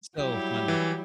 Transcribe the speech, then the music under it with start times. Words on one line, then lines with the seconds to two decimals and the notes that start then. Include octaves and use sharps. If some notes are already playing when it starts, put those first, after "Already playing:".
So funny.
0.18 F#3 G3 E4 G4
0.68 E3